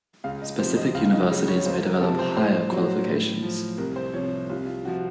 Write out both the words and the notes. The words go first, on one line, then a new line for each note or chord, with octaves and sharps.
Specific universities may develop higher qualifications.
C#2 F5
D#5
C3 F3 C5
D#5
C#2 F5
F5
D#5
C#3 F#3 D#5
C#5
C#2 C5
A#4
C3 F3 A4
C5
A2 C5
F#3
A2
F3
C2 A#4
C5
C3 F3 C#5
C2 F4
F4
C3 F3 F#4